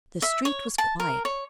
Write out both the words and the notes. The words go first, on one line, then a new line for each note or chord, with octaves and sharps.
The street was quiet.
E5
C#5
A5
A#4
C#5